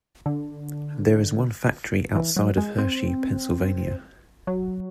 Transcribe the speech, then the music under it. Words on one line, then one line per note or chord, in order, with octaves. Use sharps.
There is one factory outside of Hershey, Pennsylvania.
D3
E3
F#3
G#3
C4
F#3